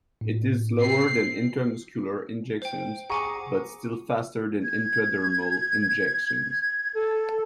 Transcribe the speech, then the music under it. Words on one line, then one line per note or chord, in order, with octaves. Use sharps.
It is slower than intramuscular injections but still faster than intradermal injections.
A2
C4 C7
C5 G5
G#4 F#5 G#5 A#5 C#6 D6
G#6
A4